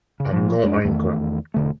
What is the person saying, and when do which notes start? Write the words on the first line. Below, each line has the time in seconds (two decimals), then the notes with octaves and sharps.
I'm no oinker.
0.20 C#3
0.33 A#2 F3
0.64 F2 G#3 A3 D4
0.85 E2 D#3 A3
1.54 E1 D3 A3